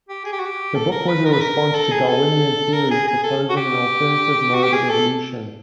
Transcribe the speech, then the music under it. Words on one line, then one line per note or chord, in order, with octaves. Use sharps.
The book was a response to Darwinian theory, proposing an alternative mode of evolution.
G4
G#4
G4
F#4
G4
A4
A#4
B4
A#4
B4
A#4
A4
G#4
A4
A#4
G#4
G#4
A4
F#4
G4
F#4
G4
G#4
A4